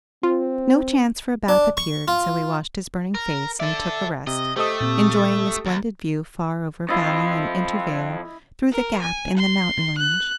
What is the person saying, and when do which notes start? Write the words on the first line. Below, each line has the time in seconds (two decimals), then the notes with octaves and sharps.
No chance for a bath appeared, so he washed his burning face and took a rest, enjoying the splendid view far over valley and intervale through the gap in the mountain range.
0.23 C4 F4
1.48 D4
1.77 C#6
2.08 F4
3.15 A#4
3.60 A4 D5 E5
4.27 C3 D#5
4.56 A3 G4 A4 C5 D#5 D#6
4.81 A#2 C4
5.66 D#2
6.89 F2 E4 F4 D#5
8.72 A#4
9.02 G#5
9.37 C6
9.98 F#6